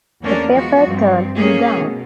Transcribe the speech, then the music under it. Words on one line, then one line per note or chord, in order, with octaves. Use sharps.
The paper turned him down.
E2 A3 A#3 C#4 D4 A#4
F3 G#3 B3 F#4
G2 C4
A3 A#3 C#4 G#4
B2